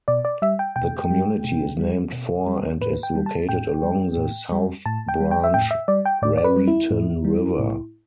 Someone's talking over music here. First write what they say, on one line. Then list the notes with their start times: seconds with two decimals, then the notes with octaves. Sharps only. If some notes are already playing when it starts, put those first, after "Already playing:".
The community is named for and is located along the South Branch Raritan River.
0.08 B2 D5
0.25 D5
0.42 G3 E5
0.59 G5
0.76 B2 G5
1.10 G3
1.45 B2
1.79 G3
2.13 B2
2.47 G3
2.81 A2 B4
3.03 G5
3.15 G3
3.26 A5
3.49 A2 G5
3.83 G3
4.17 A2
4.52 G3
4.86 A2 A5
5.09 G5
5.20 G3
5.31 G5
5.44 E5
5.54 A2 G5
5.71 E5
5.88 G3 D5
6.06 G5
6.22 A2 D5
6.37 D5
6.44 B4
6.56 G3
6.68 E4
6.90 A2
7.25 G3
7.59 A2